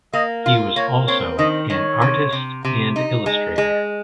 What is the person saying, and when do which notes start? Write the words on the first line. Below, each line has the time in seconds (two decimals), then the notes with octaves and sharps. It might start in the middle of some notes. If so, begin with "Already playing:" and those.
He was also an artist and illustrator.
0.13 A#3 D#5
0.45 F4 F5
0.76 A#3 C#5
1.08 C4 C#5
1.39 D#3 D#5
1.70 D#3 C#5
2.02 C3
2.33 C3
2.65 C3
2.96 D#4
3.26 G#3
3.58 G#3